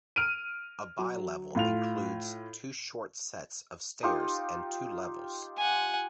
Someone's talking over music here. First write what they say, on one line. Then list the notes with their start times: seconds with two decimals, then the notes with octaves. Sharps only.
A bi-level includes two short sets of stairs and two levels.
0.16 F6 D7 D#7
0.98 F#3
1.55 A2 F4 F7
4.03 D#4 F4 G4
5.57 F#5 G#5